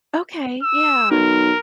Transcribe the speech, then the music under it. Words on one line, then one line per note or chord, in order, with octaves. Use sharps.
Okay, yeah.
E6
B1 A#4